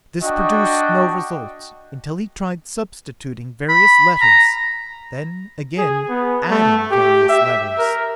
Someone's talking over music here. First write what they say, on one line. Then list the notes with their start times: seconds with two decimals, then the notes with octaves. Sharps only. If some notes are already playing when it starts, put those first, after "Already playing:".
This produced no result, until he tried substituting various letters; then, again, adding various letters.
0.23 D4 F#4 D#5 G5
3.69 B5
4.21 A#5
5.78 G#4
6.09 B3
6.50 A3
6.91 G4
7.29 E5
7.78 A#4